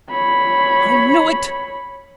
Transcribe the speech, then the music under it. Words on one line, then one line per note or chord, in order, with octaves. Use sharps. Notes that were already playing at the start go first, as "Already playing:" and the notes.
I knew it.
C#5 B5